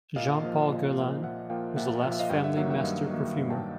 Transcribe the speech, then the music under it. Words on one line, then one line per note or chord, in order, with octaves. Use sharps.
Jean-Paul Guerlain was the last family master perfumer.
A#2 D#5 F5
F3 A#3
A#2
F3 A#3
A#2 E5 F#5
F3 A#3 F5 G5
A#2 E5 F#5
F3 A#3 E5 F5
D#5 F5
G2 F5 G5
E5 F#5
D#3 F#3 A#3 E5 F#5
E5 F#5
G2 D#5 F5
D#3 F#3 A#3
G2
G5 A5